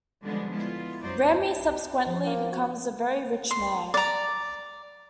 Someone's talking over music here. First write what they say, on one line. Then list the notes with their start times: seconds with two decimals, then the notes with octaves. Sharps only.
Ramey subsequently becomes a very rich man.
0.23 D3 F3 G3 G#3 B3 D4
0.52 G#3 B3 E4 F4
1.02 F#2 F#3 D#4 C5 D5
2.06 F3
2.27 A#3
2.52 F#4
3.51 C6
3.94 D5 A#5